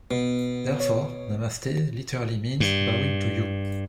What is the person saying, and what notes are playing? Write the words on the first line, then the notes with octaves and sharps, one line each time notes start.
Therefore, Namaste literally means "bowing to you".
B2 B3
C#5
G2